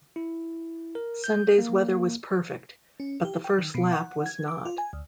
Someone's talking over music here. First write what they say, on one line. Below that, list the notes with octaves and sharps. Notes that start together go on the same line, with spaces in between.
Sunday's weather was perfect, but the first lap was not.
E4
A#4
G6
A#3
C#4
G4
G5
D#3
B2
F#5
G#6
D6
F4
G#5
D2